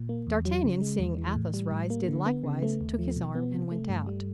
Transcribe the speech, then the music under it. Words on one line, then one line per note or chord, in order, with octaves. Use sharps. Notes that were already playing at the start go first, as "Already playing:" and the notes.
D'Artagnan, seeing Athos rise, did likewise, took his arm, and went out.
Already playing: A#2
A#3
E2
F#3
C#3
G#3
E2
E3
A2
G3
A2
A#3
D3
B3
C#3
A3
D#2
F3
B2
B3
C3
A3
G2
G3